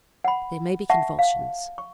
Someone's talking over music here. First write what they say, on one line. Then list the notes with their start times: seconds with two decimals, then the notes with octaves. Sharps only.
There may be convulsions.
0.24 F#5 B5
0.90 E5 F#5 A5 C#6
1.19 F5
1.78 C#6